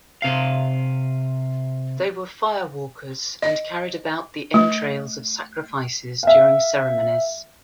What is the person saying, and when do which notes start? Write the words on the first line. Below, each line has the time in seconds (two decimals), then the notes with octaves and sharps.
They were firewalkers and carried about the entrails of sacrifices during ceremonies.
0.22 C3 F5
3.42 D#5
4.54 A3
6.23 E5 F5